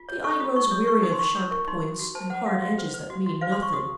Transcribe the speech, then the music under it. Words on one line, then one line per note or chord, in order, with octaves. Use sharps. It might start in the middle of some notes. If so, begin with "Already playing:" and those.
The eye grows weary of sharp points and hard edges that mean nothing.
Already playing: F4
C#5
A4 C#6
F4 D#6
D#4 C#6
C#5 D#6
A#4 C#6
D#4 D#6
C6
D#4 C#6
C#5
A#4 C#6
D#4 C6
F#4
F#4
C5 A5
C5 F#5
F#4 F5
F#4 F5
C5
C5
F#4
F#4
C5 F5
C6
C5 C#6
F#4 D#6